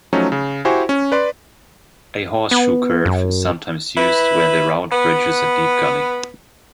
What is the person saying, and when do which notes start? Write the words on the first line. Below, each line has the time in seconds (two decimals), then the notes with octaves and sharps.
A horseshoe curve is sometimes used where the route bridges a deep gully.
0.13 F3 F#3 A3 C#4 D#4
0.32 C#3
0.65 E4 F#4 G4 C5 G#5 C#6
0.89 C#4
1.12 B4 D5 C6
2.51 B3
3.05 F#2
3.97 E4 B4
4.92 B3 B4